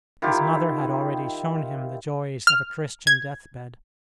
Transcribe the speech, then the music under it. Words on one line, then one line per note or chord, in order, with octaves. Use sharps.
His mother had already shown him the joys of a Christian deathbed.
D#3 E4 F4 G4
F6
G#6